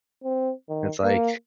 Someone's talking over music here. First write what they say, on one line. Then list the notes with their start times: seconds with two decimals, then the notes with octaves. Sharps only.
It's, like,
0.24 C4
0.69 D#3
1.04 A#3